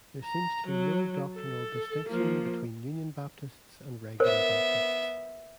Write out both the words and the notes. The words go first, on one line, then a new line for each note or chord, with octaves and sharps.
There seems to be no doctrinal distinction between Union Baptists and Regular Baptists.
A#5
F#3
A4
F3 A#3
B3 A#4 C5 C#5 E5